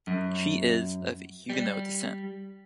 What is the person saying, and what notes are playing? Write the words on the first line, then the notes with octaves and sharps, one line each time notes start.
She is of Huguenot descent.
F#2
G3